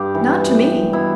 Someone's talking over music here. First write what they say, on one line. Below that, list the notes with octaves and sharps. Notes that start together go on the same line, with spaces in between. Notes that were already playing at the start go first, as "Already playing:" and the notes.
"Not to me."
Already playing: G2 G4
E3
B2
B2 E4